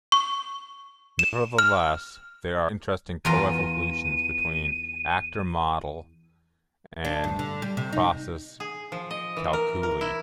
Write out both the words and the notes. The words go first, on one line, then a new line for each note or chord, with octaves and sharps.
Nevertheless there are interesting co-evolutions between the Actor Model and Process Calculi.
C#6
E7
F6
E2 F4 A#4 D#7
D4
G2
D3
G3
C3
D#4
G#4
F3
D#5
E3
A#4
A#4
E4